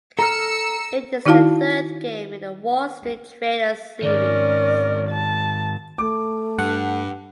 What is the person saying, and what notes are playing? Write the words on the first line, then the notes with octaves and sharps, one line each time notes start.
It is the third game in the "Wall Street Trader" series.
A4 A#5 E6 F6 C#7
D#3 D#4 E4 F#4 F5 A5
G#2 D#3 C#4 A#4 D5
A5
A3 D6
G2 F#5